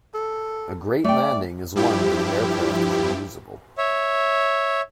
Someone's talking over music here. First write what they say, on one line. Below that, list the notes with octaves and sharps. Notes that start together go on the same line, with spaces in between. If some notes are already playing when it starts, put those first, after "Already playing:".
A great landing is one where the aircraft is reusable.
A4
A3 D5 G5
G2 F3 E4 G4
C#5 E5